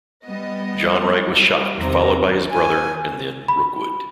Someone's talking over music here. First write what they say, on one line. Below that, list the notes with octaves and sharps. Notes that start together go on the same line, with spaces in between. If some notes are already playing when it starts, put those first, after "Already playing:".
John Wright was shot, followed by his brother, and then Rookwood.
G3 B3 D#5
G3 E4
E2 C3 D#3 C4 A#5
G#5
B5